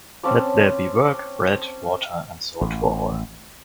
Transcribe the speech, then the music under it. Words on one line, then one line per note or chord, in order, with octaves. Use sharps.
Let there be work, bread, water and salt for all.
C4 C#4 A5 D6
A1